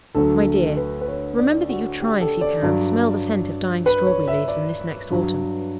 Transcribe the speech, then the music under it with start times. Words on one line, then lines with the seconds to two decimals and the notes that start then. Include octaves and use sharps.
My dear, remember that you try if you can smell the scent of dying strawberry-leaves in this next autumn.
0.15 D2 D3 F#3 A4
0.77 B4
1.01 B4
1.08 C#5
1.38 D5
1.69 F#4
2.00 G4
2.21 A4
2.41 D5
2.62 G2 F#3
3.86 B4
4.07 C#5
4.28 E5
4.48 D5
5.10 G2 F#3